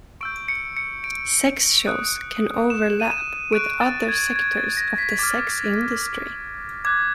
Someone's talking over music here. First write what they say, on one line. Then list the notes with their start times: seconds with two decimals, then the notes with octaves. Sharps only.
Sex shows can overlap with other sectors of the sex industry.
0.21 C#6 E6 G6 D7
0.48 C#7
0.77 C#7
1.04 D7
1.87 D#6 F#6
2.70 E7
3.00 D#7
3.11 E7
3.52 C#6 F#6 D7
3.81 A6
4.08 G#6
4.36 G#6
4.57 A6
4.77 A#6
4.98 B6
5.19 D6 F6 A6
6.85 D6 F#6 G#6